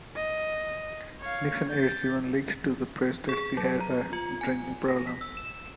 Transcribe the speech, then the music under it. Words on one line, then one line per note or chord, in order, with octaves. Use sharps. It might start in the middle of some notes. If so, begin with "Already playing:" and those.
Nixon aides even leaked to the press that she had a "drinking problem".
D#5
C#5 F5
G6 A6
G#4
F#3
A#5
F4
G#5
A#6
B6
E6
E7